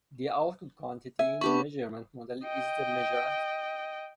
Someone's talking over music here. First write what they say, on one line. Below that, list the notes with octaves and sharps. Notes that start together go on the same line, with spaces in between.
The output quantity in a measurement model is the measurand.
E5 G#5
B3 D4 G4 B5 C#6
D#5 G5